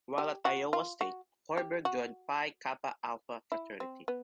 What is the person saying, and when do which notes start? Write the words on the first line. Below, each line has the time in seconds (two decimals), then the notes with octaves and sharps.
While at Iowa State, Hoiberg joined Pi Kappa Alpha fraternity.
0.18 G4
0.45 F#4
0.73 F4
1.01 F#4
1.57 G4
1.85 F#4
3.52 E4
3.80 C4
4.08 B3